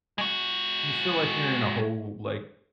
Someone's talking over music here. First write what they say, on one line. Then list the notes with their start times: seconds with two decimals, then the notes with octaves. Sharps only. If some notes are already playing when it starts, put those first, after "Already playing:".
You feel like you're in a whole, like,
0.18 G#3 F#4